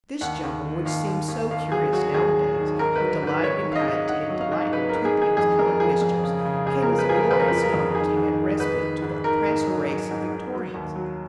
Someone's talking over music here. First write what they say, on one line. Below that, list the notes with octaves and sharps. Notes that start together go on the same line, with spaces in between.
This jumble--which seems so curious nowadays--of delight in piety and delight in twopence-coloured mischiefs came as a glorious novelty and respite to the oppressed race of Victorians.
D#2 F#5
D#2
D#3
D#2 F5
D#2
D#2
D#2 F5
F#3 G#4
F#3 F#4
D#2 G#4
F#3
D#3
G#2 A#4
F#3 B4
A#4
G#2
B4
D#3 C#5
G#2
F5
D#5
G#2
G#2 F#5
F#3
F5
G#2
F#3 B4
A#4
G#2
G#4
D#3
G#4
F2 G#4
F2 A#4
F3 G#4
F2
C#3
C#3
C#3 G#4
A#4
F3
B4
F3 G#4
A#4
F2 B4
A#4
F3 B4
A#4
F2
D#3 G#4
G#2
D#3
G#2 B4
D#3
G#2
D#3 A#4
G#2
F#3
F#3
G#2
G#2
F#3
D#2
F#3